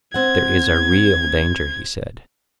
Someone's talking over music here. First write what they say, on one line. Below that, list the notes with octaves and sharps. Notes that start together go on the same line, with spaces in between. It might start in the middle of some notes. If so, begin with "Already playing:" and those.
There is a real danger, he said.
C4 F#5 G#6